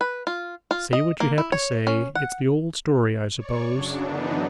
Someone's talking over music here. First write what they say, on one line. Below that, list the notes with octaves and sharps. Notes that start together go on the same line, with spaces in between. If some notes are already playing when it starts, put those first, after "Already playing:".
'Say what you have to say; it's the old story, I suppose?'
B4
F4
F4
D#5
A#3
E4
C#5
C#4
F#5
C#5 D5 C#6
F#2 C#3 F#3 D4
F#2 D3 E3 B3 D4 D#4